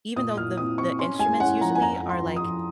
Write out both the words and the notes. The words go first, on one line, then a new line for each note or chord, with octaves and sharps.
Even though the the instruments usually are, like,
A#2 D#6
A#2 F6
C4 D#6
C4 C#6
C#4 C6
G#3 G#5
C#4 F#5
F3 A#5
G#5
F2 A#5
F2
C6
F2
D#6
F2